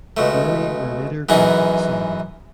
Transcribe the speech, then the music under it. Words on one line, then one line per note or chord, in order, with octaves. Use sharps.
Many were later granted asylum.
C#2 B2 A3
F#2 E3 B3 D#4 G#4